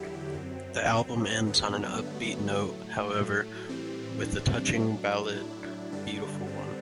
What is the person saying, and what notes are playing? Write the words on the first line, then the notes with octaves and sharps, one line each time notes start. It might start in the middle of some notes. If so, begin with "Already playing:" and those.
The album ends on an upbeat note however, with the touching ballad, "Beautiful One".
Already playing: E2 D3 F#3 E4 G4
F#2 F#3 C4
C4
G2 D3 F#3 B3
A3
A2 F#3
A3
A2 E3 G3 C4
D4
A2 F#3
E4
G2 D3 G3 D4
C4